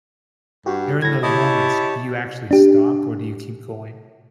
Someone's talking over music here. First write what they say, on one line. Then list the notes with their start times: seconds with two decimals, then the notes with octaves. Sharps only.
during those moments, do you actually stop or do you keep going?
0.66 G2 F#4 G4
1.02 A2 G#6 A#6
1.23 E4 G4 C#5 D#5 A5
2.51 D4 G4